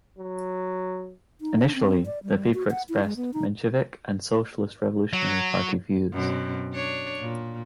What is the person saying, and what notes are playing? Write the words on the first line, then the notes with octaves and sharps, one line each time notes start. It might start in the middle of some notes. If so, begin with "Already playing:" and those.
Initially, the paper expressed Menshevik and Socialist-Revolutionary Party views.
F#3
D#4
D4
C4
D5
G3
F#4
F#5
E4
G#3
B3
D#4
F#3
F#2 B2 C4
D4 C#5
A#2